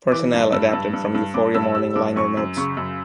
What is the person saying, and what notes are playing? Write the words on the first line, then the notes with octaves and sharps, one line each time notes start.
Personnel adapted from "Euphoria Morning" liner notes.
E3 D6
G2
G2 E6
G2
G2
G2
G2 D6
G2 E6
G3 E6
G2 D6
F#2 C#6
F#2
C#3 C#6
F#2